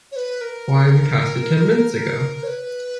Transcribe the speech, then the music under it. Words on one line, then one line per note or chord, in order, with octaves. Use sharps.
Why, we passed it ten minutes ago!
C#5
B4
A#4
C#5
B4